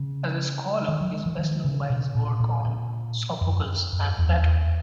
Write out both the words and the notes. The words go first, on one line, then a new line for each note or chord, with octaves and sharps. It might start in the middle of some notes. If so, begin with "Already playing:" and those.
As a scholar he is best known by his work on Sophocles and Plato.
Already playing: C#3
D#3
F#3
G#3
E3
D#3
C#3
B2
A#2
A#2
A#2
F#2
F#2
E2
E2